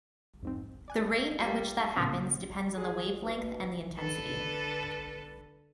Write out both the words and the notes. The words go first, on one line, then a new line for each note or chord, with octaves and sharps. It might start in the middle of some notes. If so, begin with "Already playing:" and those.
The rate at which that happens depends on the wavelength and the intensity.
F2 G#2 C4
D5 G#5 F#6
G3 F4 G4 B4
A#2 C#3 C4 A#4
G#4
B2
D3 A4 B4